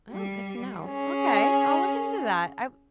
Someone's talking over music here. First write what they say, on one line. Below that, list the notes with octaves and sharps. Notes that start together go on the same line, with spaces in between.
Oh, good to know. Okay, I'll look into that. I
G3
C#4 G#4